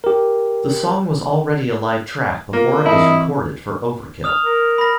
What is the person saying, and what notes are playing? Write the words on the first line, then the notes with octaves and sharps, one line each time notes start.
The song was already a live track before it was recorded for "Overkill".
G4 A#4
A#3 F4
E3 C4 E4 D#5 A5
D#6 F6 F7
A#4
B5 A#6